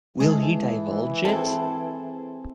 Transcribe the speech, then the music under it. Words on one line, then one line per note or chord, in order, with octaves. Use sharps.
Will he divulge it?
E3 G#3 G#4 A4
C4 E4 G#4 A4